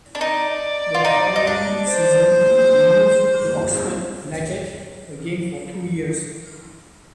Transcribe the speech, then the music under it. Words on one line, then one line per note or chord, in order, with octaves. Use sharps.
The following season, he moved to Oxford United - again for two years.
D4
D#4 D5
F4
D#4
D#4
D4
C5